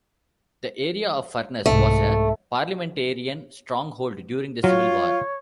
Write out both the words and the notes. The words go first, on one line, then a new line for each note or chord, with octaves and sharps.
The area of Furness was a Parliamentarian stronghold during the Civil War.
C2 G#2 A3
F#3 F4 C#5